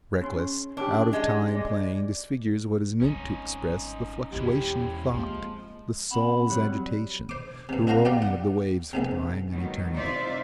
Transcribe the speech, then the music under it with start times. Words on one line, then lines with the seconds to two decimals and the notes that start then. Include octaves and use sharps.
Reckless, out-of-time playing disfigures what is meant to express the fluctuation of thought, the soul's agitation, the rolling of the waves of time and eternity.
0.21 C#4 C6
0.77 C#4 D4 G4
1.13 G#3
1.55 D5
3.01 G#1 G3 C#4 D#4
4.33 E1 E2 C4 C#4 E4 G4
5.14 F3 G#3 A#3 C4
6.11 C4 F#5 B5
6.50 F#3 G3
7.29 C5 D6
7.69 G2 C3
7.87 D4 F#4 C5 F5 A#5
8.05 B3 G4 D5 F5
8.22 F#5
8.93 A#1 G#2 C3
9.52 B2 D#3 F#3 G3 A3
9.95 C3 D#4 F4 C5 D5 E5